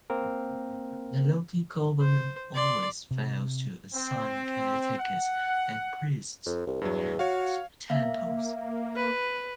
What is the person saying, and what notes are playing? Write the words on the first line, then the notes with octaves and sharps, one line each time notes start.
The local government always fails to assign caretakers and priests at temples.
A#3 C4 A#4
C5
D5 C6
C3
C4
F#5
F2
C2
E2 G2 F#3
F#4 C#5 F5
A#3 E5 F5
B4